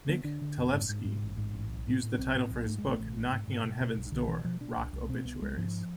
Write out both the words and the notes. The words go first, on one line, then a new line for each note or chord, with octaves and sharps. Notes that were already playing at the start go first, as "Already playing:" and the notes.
Nick Talevski used the title for his book, Knocking On Heaven's Door: Rock Obituaries.
D3 B3
D3 D4
D3
F1
G#2
G#2
G#2
A1
G#2
A1
B1
A2
A2
D4
B1 C4
A2
B1
G#2 A3
A1 G#3
A3
A1
A1
G#2
G#2
B2
B2
B1
B1 D3
B2 E3
B2 F3
B2 D4
C2
C2
B2 C4
C2 B3
C2 G#3
G#2 F3